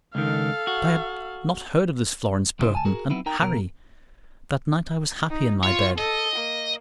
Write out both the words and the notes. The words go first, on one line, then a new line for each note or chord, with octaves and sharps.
But I had not heard of this Florence Burton; and, Harry, that night I was happy in my bed.
C#2 D#3 A4 F5
F#4
B1 G2 C#3 D#4 E4 C5
C#2 G#5 A5
F#4 G#4 A#4
F#3 B3 C4 D#4 E4
D#4 A#4 G5 A#5
B1 B2 A#4
D#4
F4 C#5
A4 D#5
A#3